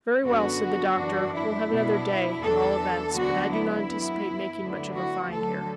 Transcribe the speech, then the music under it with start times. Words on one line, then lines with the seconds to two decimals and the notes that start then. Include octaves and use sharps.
"Very well," said the doctor; "we'll have another day, at all events; but I do not anticipate making much of a find here."
0.23 F#2 D3 B3 D4 F#4
0.96 F#2 E3 D4
1.33 E4
1.68 B2 B3 D4
2.40 E2 E3 D4 A4
3.12 D2 D3 F#3 B3 D4 F#4
3.49 E4
3.85 F#2 E3 B3
4.57 D2 D3 F#3 B3
4.93 F#4
5.29 D2 D3 F#3 A4